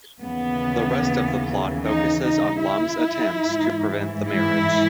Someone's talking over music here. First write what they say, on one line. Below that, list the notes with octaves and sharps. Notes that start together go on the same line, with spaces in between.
The rest of the plot focuses on Lum's attempts to prevent the marriage.
D#2 C#3 E3 B3
D#4
D#4
E4
G#2 E3
E4